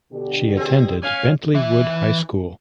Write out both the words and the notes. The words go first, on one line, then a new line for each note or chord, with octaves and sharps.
She attended Bentley Wood High School.
B2 D3 G4
C4 G#4
C#4 F5 G#5
E3 E5